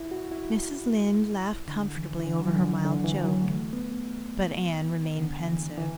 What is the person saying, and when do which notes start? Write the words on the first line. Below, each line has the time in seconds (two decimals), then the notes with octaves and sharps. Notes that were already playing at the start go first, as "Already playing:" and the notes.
Mrs. Lynde laughed comfortably over her mild joke, but Anne remained pensive.
Already playing: E4
0.11 F#4
0.32 E4
1.68 D3
1.97 E3
2.20 E3
2.26 D3
2.40 F#3
2.48 E3
2.55 D3
2.85 D3
3.04 E3
3.24 F#3
3.43 A3
3.73 B3
5.18 D3
5.48 E3
5.78 E3